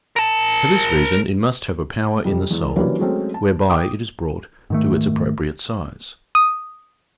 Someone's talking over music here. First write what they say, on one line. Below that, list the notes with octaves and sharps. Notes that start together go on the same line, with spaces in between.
For this reason it must have a power in the soul, whereby it is brought to its appropriate size.
A#4 A5
F2 C3 G3
E2 G#3
E3 F#3 G3 A#3 C#4 D4
F#3 G#3 A3 C4 C#4 A4
A5
G5 D6 D#6
G#2 D#3 A3
D#6